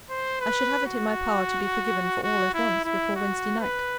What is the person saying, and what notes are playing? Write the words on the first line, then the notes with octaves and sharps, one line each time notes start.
I should have it in my power to be forgiven for all at once, before Wednesday night.
C5
B4
F#4
F#4
E4
E4
F#4
B4